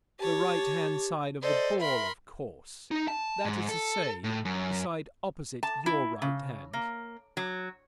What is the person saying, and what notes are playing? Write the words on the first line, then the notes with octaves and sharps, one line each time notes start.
"The right-hand side of the ball, of course; that is to say, the side opposite your right-hand."
G4 C#5 A5
A4 C5 D5 D#5
A#4 E5 B5 C6
D#4
A5
G#2
A4
A2
F#2
A5
E4
C#3
A#3
F#3